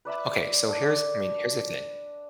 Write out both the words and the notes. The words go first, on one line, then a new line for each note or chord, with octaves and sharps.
Okay. So here's I mean, here's the thing.
B4 D5 E5 B5
D4